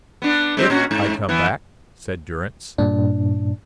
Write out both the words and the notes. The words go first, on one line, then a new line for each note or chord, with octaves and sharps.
"If I come back," said Durrance.
B3 D4
G#3 C4 G4
A#2 C#4 F#4
G#2
E3 B3
G2 A#2 D4